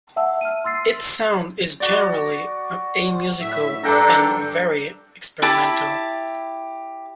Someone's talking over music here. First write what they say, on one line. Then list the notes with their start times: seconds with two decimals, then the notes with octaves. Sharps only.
Its sound is generally amusical, and very experimental.
0.16 E5 F#5 A5 E6
0.41 F6 D#7
0.64 C6 E6 A6 C7
1.80 F#4 D5
3.41 A2 E5
3.84 G2 D4 A4 G5 A#5
5.42 E4 G4 A5